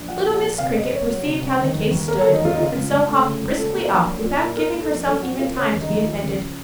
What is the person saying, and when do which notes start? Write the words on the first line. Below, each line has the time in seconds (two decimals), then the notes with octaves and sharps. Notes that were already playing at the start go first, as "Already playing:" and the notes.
Little Miss Cricket perceived how the case stood, and so hopped briskly off, without giving herself even time to be offended.
Already playing: A#1
0.08 F3 F#5
0.26 A#2
0.34 F#5
0.43 A#3
0.58 C3 F5
0.75 C2 D#5
0.92 C2 C#5
1.09 F#3
1.26 C3
1.41 C2
1.59 D#3
1.75 D#2
1.91 D#2
2.08 A#3 A#4
2.21 A4
2.25 D#3
2.33 D#4
2.41 D#2 F4
2.53 D#4
2.58 C#3 F4
2.75 C#2
2.91 C#2
3.08 A3
3.25 C#3
3.41 C#2
3.57 A#2 A4
3.74 A#3
3.90 A#1
4.07 F#3
4.23 A#2
4.40 A#3
4.57 A#2 A#4
4.74 A#3
4.81 A4
4.90 A#1
5.06 F#3 A4
5.23 A#2 F#4
5.39 A#3 F4
5.56 C#3 C#4
5.73 D#2
5.81 D#4
5.90 D#2
6.06 F3
6.22 C#3